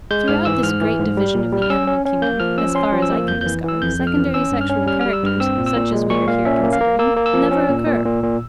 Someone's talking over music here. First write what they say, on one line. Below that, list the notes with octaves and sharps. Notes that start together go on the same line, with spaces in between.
Throughout this great division of the animal kingdom, as far as I can discover, secondary sexual characters, such as we are here considering, never occur.
G#3 G6
G#2 F6
E3 E6
G#2 F6
E3
G#2
G3
A#2
G3
F6
C#4 E6
C#4
C#4
A#3 G6
F3 F6
C#4 E6
C#4 C6
F3
E6
A#3
F2 G6
E3 G6
E3 E6
F2 G6
F2
F6
E3
C#4 E6
G2
F6
C#4
G3 F6
G3 F6
E6
G2 F6
C4 E6
A#2
E6
A#2
G#3
A#2 C#6
A#2 F5
C#4 E5
A#3
F5
A#3
A#3 E6
A#3
E6
F3
C#4
A#2
A#2
A#2
A#2